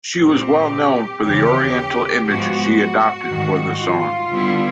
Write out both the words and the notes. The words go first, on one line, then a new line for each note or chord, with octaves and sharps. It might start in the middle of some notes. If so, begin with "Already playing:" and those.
She was well known for the Oriental image she adopted for the song.
A#2 G3 C4 G4
D#2 C#3 E3 G4
G#2 F3 G#3 B3 F#4
F#4
G#2 D#3 G3
F4
D3 G3 B3 E4